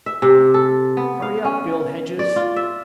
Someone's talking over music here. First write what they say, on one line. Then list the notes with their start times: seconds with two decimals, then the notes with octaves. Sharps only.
"Hurry up, Bill Hedges!"
0.06 E5
0.22 C3
0.54 A4
0.97 B3
1.22 F5
1.45 C#4
2.19 D5
2.36 F4
2.56 E5